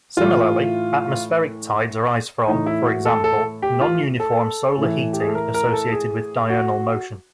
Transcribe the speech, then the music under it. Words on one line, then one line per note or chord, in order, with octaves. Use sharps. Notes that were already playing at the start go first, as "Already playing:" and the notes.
Similarly, atmospheric tides arise from, for example, non-uniform solar heating associated with diurnal motion.
A2 E3 F4
A2 E3 D#4
E4
F#4
A4
A4
G4
F4
A4
A2 E3
G4
G#4
A4
A#4
A#4
A4
G#4
F#4